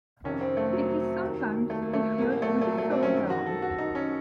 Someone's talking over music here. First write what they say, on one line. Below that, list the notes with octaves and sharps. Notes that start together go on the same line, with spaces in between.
It is sometimes confused with solo garlic.
F2 C3 D#3 C#4
C4
A3
F#3
D#2 D#3
A3
A#3
A3
C2 A#2 F3 A#3
A3
A3
F#3
A3
C4
C#4
F#2 D#3
F#4
A4
F#4
D#4
C#4